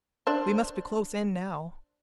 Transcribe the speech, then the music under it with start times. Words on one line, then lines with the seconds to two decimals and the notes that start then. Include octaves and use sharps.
We must be close in now!
0.27 D4 C5